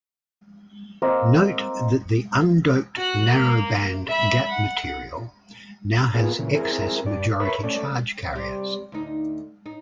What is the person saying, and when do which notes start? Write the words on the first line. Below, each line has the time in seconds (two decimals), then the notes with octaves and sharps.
Note that the undoped narrow band gap material now has excess majority charge carriers.
1.02 A#3 C4 D#5
2.96 F#4 F#6
3.28 A#3
4.08 E5 B5
4.50 F#5
6.14 A#3 B3 F4 G#4
6.39 A#2 C#3 E3
6.54 C4 E4 G#4 A#4
7.06 G2 D5
7.40 A#4 B4 C#5 E5 B5
7.63 A3 C#4 D5
8.33 C3 G3
8.92 D2 D#4
9.66 D#4